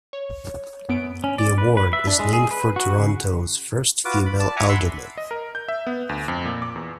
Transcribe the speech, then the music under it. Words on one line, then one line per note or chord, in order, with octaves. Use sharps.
The award is named for Toronto's first female alderman.
C#5
F#2 B3 D7
C#4
D5
B4
B4
E5
D4
G#3
G#4
B4
F#4
C#3
F4 F#4 B4 D6
B5
D5 A5
E5 F#5 G#5 A#5 D6
E5 F#5 B5 C6 E6
D#5
A#4
G6
E5
B3
D2
F2
A#2
D6
E2